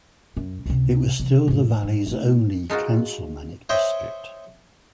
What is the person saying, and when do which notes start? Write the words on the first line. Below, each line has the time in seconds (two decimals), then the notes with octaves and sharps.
It was still the Valley's only councilmanic district.
0.37 F#2 C#4
0.66 C#2 C3
1.19 C3 E3
1.48 A1 F2
1.83 G2
2.07 A3 E4
2.70 G#3 D#4 F4 F#4
3.69 C5 C#5 D#5 E5 G5